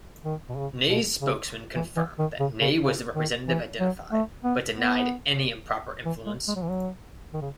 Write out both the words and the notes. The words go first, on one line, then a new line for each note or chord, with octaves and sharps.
Ney's spokesman confirmed that Ney was the representative identified, but denied any improper influence.
D#3
B2
C#3
B2
C#3
E3
E3
D#3
C#3
C#3
C#3
D#3
E3
F#3
A3
B3
B3
E3
G#3
G#3
F#3
E3
F#3
D#3
C#3